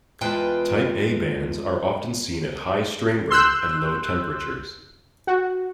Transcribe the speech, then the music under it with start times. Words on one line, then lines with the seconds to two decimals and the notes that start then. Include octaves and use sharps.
Type A bands are often seen at high strain rate and low temperatures.
0.21 E2 G#3 F4 B4 G5 A5
3.30 C6 E6 F#6 G6
5.27 F#4